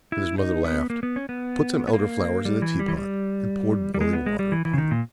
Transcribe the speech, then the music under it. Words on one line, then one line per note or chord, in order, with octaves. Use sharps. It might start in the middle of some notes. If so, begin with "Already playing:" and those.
And his mother laughed, put some Elder-flowers in the tea-pot, and poured boiling water upon them.
E4
D#4
B3
A#3
B3
C#4
B3
B3
A#3
G3
E3
G3
E3
G3
G3
G#3
B3
G#3
G3
E3
E3
C#3
D#3
A#2